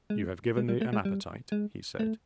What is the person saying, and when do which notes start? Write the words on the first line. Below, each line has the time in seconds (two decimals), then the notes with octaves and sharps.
"You have given me an appetite," he said.
0.10 G#3
0.57 G#3
0.69 G3
0.81 A3
0.93 G#3
1.05 G3
1.52 G#3
1.99 A3